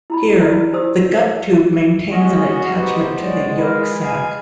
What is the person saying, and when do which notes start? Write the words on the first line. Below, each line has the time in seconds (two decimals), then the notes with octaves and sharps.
Here, the gut tube maintains an attachment to the yolk sac.
0.10 E4 A#5 B5
0.41 E4 D5
0.73 D#4 G4 C5 D#6 E6
1.06 C#5
2.12 G#3 B3 C#4 F#4 D#5
2.74 G#2 B3 D#4 G4 B4 C5
3.21 G#3 C#5 D5
3.58 D#4 F4 A#4 B4
4.01 F5 G#5